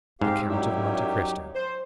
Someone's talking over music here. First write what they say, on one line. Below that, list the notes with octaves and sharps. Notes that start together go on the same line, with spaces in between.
"The Count of Monte Cristo."
G#2 C4 G4 F5
F#2 F#3 G3 D#4 E4 G4
C5